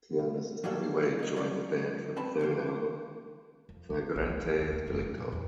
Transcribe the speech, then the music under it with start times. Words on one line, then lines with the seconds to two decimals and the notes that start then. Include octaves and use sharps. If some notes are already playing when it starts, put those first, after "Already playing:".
Pianist Tony Wade joined the band for the third album, "Flagrante Delicto".
0.19 C2
0.64 F#3 G3 A#3 F#4 G#4 A4
1.19 A#3 D#4
1.36 D#2 F#3 C#4 F#4 A4 D5
2.16 C4 B4 A5 B5
2.39 F2 D3 A#3 C5
3.69 F2
3.90 C#2
4.02 B3
4.16 A#1
4.30 C#2
4.43 D#4
4.59 D#2
4.72 A3
4.87 F1
5.01 A#3
5.18 A#2
5.32 E2